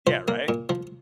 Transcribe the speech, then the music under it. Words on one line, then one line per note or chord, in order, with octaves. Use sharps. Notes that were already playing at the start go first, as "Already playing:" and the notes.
Yeah, right?
F3 C5
A#3
A#2
F3